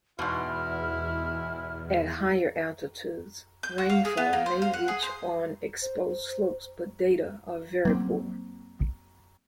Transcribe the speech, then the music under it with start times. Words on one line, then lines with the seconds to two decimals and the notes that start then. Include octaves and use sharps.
At higher altitudes, rainfall may reach on exposed slopes but data are very poor.
0.19 E2 G#2 B2 E4 F6
3.63 G6
3.78 F#4
3.90 F5
4.05 G#4
4.17 B3
4.33 A#3
4.46 C5
4.62 F5
4.74 F#5
4.88 G#4
5.02 C5
5.82 C5
6.10 C5
7.85 F#3 A#3 C4